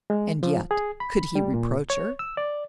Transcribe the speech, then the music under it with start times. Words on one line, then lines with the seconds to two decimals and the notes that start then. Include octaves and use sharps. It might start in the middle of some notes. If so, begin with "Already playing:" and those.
And yet, could he reproach her?
0.10 G#3
0.43 F3
0.71 G#4
1.00 B5
1.35 G3
1.54 A#2
1.90 C#5
2.19 E6
2.37 D5